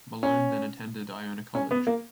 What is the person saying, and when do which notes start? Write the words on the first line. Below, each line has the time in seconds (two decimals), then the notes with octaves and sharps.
Malone then attended Iona College.
0.23 C#4
1.55 C#4
1.71 B3
1.87 A#3